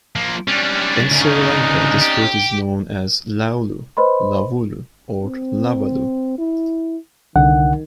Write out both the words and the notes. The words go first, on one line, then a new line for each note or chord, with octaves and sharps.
In Sri Lanka this fruit is known as "Laulu", "Lavulu" or "Lawalu".
F3 A#3
G3 C#4 D4
D2 C#3 D#4
G4
B4 C5 D#5 B5 C6
C4
E4
C2 D3 D#3 F#5